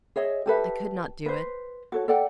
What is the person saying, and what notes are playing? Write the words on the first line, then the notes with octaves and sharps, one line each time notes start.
I could not do it.
G#4 C#5 D#5 E5
G4 A4 B4 E5
B4 C5
F#4 A4 C#5
A4 D5 F#5 G5